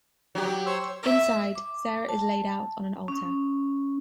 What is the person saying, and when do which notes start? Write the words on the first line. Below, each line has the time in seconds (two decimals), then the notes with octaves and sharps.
Inside, Sarah is laid out on an altar.
0.35 F#3 G4
0.66 C5 C#5 E6
1.03 E5
1.55 D6
2.09 A5
3.08 C#4